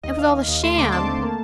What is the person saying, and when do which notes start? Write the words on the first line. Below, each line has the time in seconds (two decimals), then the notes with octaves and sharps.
It was all a sham.
0.03 D#2 D#5
0.19 D#2 F5
0.33 D#2
0.48 D#2
0.63 A3 C6
0.78 D3 D6
0.92 C4 A5
1.08 A3
1.23 A#3